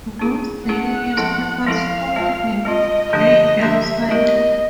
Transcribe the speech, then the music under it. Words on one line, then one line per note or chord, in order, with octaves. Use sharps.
Most daily newspapers follow the a.m. cycle.
C#4 E4 G#4
C#4 E4 G#4 F#5
F3 G#3 C4 E4 A4
F3 G#3 C4 E4 A4 F5
G#3 C4 F4
G#3 C4 F4 D#5
D3 F3 A3 D4 G4 D#5
D3 F3 A3 D4 G4 E5
B3 E4 G4 A#4 D#5